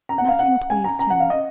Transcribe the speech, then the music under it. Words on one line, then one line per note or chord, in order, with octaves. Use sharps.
Nothing pleased him.
A#5
F#5
F5
F#5
G#5
A#5
A#5
F#5
F5
D#5